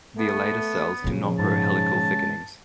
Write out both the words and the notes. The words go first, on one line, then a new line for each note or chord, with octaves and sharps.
The elater cells do not grow helical thickenings.
A3 B3
A#2 C#3 F3
G#2 A5